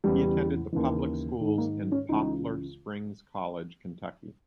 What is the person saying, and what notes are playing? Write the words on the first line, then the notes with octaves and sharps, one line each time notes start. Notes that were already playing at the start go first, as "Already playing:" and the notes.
He attended the public schools and Poplar Springs College, Kentucky.
E2 C#3 E3 G3
D#2 C#3 E3
G#2 D#3
A#3
C#4
C#2 C#3 E3 D#4